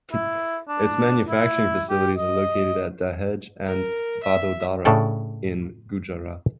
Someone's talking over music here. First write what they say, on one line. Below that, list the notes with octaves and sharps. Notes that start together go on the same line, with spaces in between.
Its manufacturing facilities are located at Dahej and Vadodara in Gujarat.
E4
D4
E4
G4
D#5
A#4
E5
A2 C#3 D4 A4 D5 G5